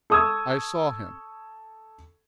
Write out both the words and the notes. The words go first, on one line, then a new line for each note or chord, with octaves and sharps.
I saw him.
A4 C#6 D#6 E6 G#6